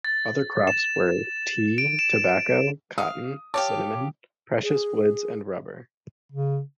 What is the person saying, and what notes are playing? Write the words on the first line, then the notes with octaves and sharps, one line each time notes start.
Other crops were tea, tobacco, cotton, cinnamon, precious woods and rubber.
A6
E7
D7
E7
F5 D#6
G4 C#5 F5 A5 D6
G#4
C#3